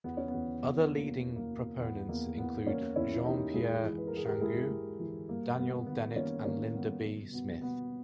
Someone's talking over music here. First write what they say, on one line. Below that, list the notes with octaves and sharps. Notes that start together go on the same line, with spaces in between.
Other leading proponents include Jean-Pierre Changeux, Daniel Dennett and Linda B. Smith.
E2 B3
C#4
B3
E2
E2
B2 A#3
E2
A#3
B2
E2 B3
E2 A#3
E3 B3
E2 A#3 C#4
E2 C#4 E4
E4
E3 D#4 G4
G#2 E4 G#4
E3
B4
A#4
E3 G#4
G4 A#4
G#2 E4 G#4
G#2
E3
G2 A#3
G2 B3
D#3 B3
D#3 A#3 C#4
D#3 A#3 C#4
G2 B3
B2
B2 B3
B2 B3